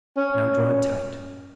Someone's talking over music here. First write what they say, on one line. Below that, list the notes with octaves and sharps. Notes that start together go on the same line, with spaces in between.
Now draw it tight.
C#4